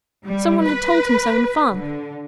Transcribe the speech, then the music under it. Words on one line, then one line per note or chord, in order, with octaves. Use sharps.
Some one had told him so in fun.
G3
B4
D3